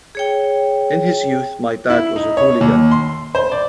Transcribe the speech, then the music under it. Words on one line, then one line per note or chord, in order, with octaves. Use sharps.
In his youth my dad was a hooligan.
G#4 C#5 G5
E4
D#4
C#5
D#2
C6
C5
D5